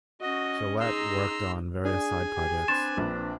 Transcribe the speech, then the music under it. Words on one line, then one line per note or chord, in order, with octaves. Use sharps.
Gillette worked on various side projects.
C#4 F#4 D#5
D#4 G#4 A#5 C6 E6
D4 G#4 G#5
G4
C4 D4 B4 C6 A6 E7
A#1